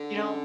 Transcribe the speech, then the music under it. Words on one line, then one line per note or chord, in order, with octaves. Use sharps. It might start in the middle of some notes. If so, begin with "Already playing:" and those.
you don't
Already playing: D3
C#4